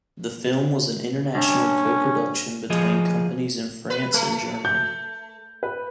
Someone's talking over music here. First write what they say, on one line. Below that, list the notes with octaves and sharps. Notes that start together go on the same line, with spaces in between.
The film was an international co-production between companies in France and Germany.
G2 C#4
F3 F4 G#4 D#5
B4
A3
G6
B4